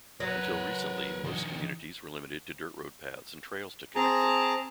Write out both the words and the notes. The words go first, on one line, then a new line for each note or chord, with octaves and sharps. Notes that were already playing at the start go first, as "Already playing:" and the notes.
Until recently most communities were limited to dirt-road paths and trails to connect them.
F#3 A#4 B4
E3 D#4
C4 G#4 A5 A#5